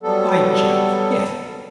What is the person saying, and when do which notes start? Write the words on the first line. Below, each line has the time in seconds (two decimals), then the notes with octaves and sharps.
By Jove! yes.
0.03 F#3 G3 B3 A4